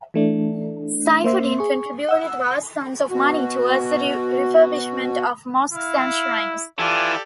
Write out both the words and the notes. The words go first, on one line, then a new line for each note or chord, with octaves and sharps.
Saifuddin contributed vast sums of money to towards the refurbishment of mosques and shrines.
E3 A3 D4
A#3 C5 E5 C6
G#4 C#6
F#5 E6
B2 F#4
E4 F5
E3 F4 G4 A4 D5